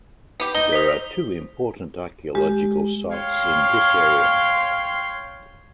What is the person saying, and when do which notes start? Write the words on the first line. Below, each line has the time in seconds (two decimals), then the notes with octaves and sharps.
There are two important archaeological sites in this area.
0.40 B3 G4
0.55 D#4 D#5 G7
0.73 C5 D#6 B6
2.35 G#3 G4
3.14 C#5 F5 G5 C6